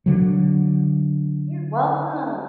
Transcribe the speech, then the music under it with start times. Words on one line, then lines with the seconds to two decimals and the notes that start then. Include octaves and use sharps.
You're welcome.
0.06 D3 F#3